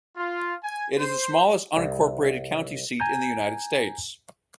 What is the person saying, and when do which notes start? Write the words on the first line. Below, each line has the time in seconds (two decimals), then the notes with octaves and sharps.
It is the smallest unincorporated county seat in the United States.
0.16 F4
0.63 G#5
0.97 C5
1.77 C2
3.00 G#5 A#5 G6